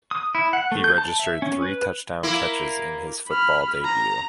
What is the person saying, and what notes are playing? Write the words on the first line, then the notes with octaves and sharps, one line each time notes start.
He registered three touchdown catches in his football debut.
D#6
E4
F#5
A3
G6
A5
E5
C#4
B4
A#3 E4
B5 F6
A#5